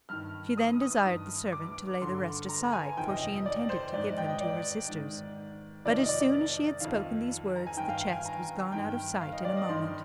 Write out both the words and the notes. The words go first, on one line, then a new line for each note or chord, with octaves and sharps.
She then desired the servant to lay the rest aside, for she intended to give them to her sisters; but, as soon as she had spoken these words, the chest was gone out of sight in a moment.
G2 D#3 F6
D#6
D#6
G2 D#3
D6
G2 D3 C6
A#5
G#5
F2 C3 D#3 G5
D#5
D#5
D#5
D5
C5
G#2 D#3 D5
D#5
G5
D#5
D5
G#2 D#3
F2 C3 D#3 D5
D#5
D5
D5
F2 D#3 F5
A#5
G#5
G2 D#3 G5
F5
F5
G#5
A#5
G2 D#3 G5
F5
D#5
D5
D#5
G2 D#3 C6